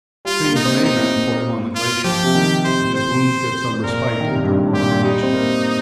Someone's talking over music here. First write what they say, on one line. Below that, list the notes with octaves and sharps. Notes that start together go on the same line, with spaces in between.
Things may mend for him on the glacier, and his wounds get some respite under warmer conditions.
G3 F4
A#3
D#4
C4
A#3 D#4
F4
F3 G4
C3
D#3
C3 C5
C5
A#2 A#4
D#3
C3
A#2
G2
A#2 G4
G2
A#2
G3 D#4
C4
A#3